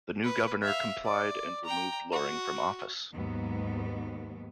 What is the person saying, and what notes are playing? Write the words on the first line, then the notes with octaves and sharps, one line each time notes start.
The new governor complied and removed Loring from office.
B4
E5 F5
D5
G5 A#5
F#4
D#2 G#2 F#3 B3